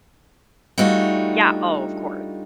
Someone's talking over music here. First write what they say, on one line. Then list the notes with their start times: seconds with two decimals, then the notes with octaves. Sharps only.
Yeah, oh, of cour
0.78 G3 A3 D4 D#4 F4 F#4